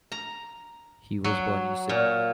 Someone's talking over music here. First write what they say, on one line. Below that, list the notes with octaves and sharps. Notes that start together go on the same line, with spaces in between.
He was born in Sydney.
A#5
F#3
A#2